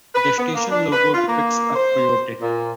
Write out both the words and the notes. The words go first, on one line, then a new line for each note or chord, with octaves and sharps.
The station logo depicts a coyote.
B4
B3
A#3
D4
B4
F4
A#3
C5
A#2